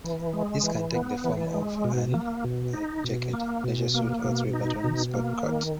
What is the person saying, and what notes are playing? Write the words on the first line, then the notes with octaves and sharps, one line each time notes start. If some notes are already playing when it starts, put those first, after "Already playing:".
This can take the form of an Ike jacket, leisure suit or three-button sportcoat.
E3
G#3
E3
B3
E3
G#3
B2
A#3
B2
D#4
B2
A#3
B2
A#3
B2
D#4
B2
A#3
D#3